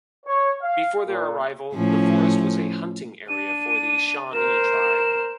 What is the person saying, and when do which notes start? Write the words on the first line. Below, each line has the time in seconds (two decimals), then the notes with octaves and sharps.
Before their arrival, the forest was a hunting area for the Shawnee tribe.
0.25 C#5
0.62 F5
1.06 A#2
1.74 A2 F3 C#4
3.29 D4 D#7
4.33 A#4 C5 E7